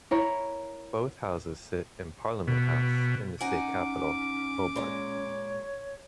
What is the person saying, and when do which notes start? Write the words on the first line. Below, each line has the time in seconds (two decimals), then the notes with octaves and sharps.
Both houses sit in Parliament House in the state capital, Hobart.
0.11 E4 A#4 C#5
2.48 B2
3.41 C#4 D#4 F#5 G#5 D6
4.76 A#2 G#3 C#5